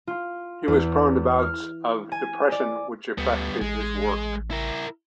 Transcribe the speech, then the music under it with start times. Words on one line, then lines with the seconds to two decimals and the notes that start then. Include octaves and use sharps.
He was prone to bouts of depression, which affected his work.
0.07 F4
0.68 E2
1.39 F6
2.12 G#5
2.52 D5
3.18 D2 G3 B3
3.61 A1 G#3
4.51 E4 A#4